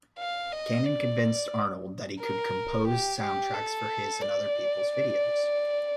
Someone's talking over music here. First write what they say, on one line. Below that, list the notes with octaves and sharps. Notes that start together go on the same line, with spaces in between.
Cannon convinced Arnold that he could compose soundtracks for his and other people's videos.
F5
D#5
D5
A#4
G4
G4
A4
D5